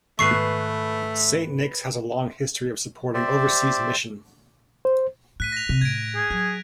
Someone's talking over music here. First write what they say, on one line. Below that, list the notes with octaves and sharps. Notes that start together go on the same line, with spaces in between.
Saint Nics has a long history of supporting overseas mission.
G#2 D#3 A3 B3 G#4 B4 C#6 C7
G4 C5 D5 E5
C5
A2 F#6 B6 D#7
A#6 F7
C3
A2 G#6 D7
G#4
F#3 F#6